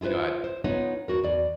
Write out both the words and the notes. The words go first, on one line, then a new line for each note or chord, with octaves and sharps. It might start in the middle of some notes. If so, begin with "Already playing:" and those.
you know, I
E4 F4 G#4 B4 C5
C5
G#3 B3 D#4 F4 C#5 F#5
E2 F#4 A#4
E2 D5